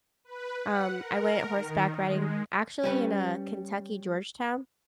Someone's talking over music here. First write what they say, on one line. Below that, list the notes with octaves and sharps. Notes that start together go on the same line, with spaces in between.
Um, I went horseback riding actually in a Kentucky, Georgetown
B4
F#5
A#4
D#3
G#3
G3 C#4 B4